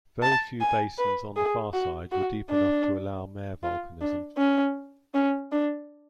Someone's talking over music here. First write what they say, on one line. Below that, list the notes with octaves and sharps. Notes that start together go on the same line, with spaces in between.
Very few basins on the farside were deep enough to allow mare volcanism.
A5
G#5
B4
G#4
F#4
F#4
D4
F4
D4
C#4
C#4
D4